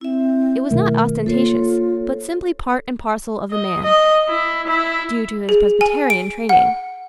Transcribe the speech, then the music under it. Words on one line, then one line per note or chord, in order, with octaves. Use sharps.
It was not ostentatious, but simply part and parcel of the man, due to his Presbyterian training.
C4 E4 E5
B2 D#3 A3 A#4
A#3 F4 A4 C5 C#5
D#5
D#5
E4
E4
G#4
G#5
D7
F#5